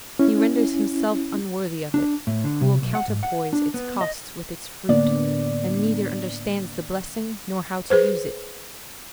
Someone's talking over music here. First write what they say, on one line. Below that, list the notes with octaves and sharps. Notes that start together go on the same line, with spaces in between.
He renders himself unworthy of it who will counterpoise its cost with its fruit, and neither understands the blessing nor how to use it.
C#4 E4
D4
A2
D3
C3
B1
F#5
G#2
F#5
D4
B3
D#5
A2 D3 A#3 B3 D4 D5
G#4 B4 C5